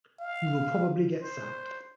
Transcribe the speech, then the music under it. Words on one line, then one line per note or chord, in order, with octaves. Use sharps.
You will probably get sacked.
F5
C5